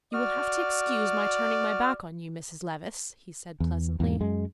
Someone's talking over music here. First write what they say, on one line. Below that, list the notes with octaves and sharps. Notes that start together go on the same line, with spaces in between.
"You will have to excuse my turning my back on you, Mrs. Levice," he said pleasantly.
F#4 D5 F6
E2
E2 G#2 A#3
F#2 G#3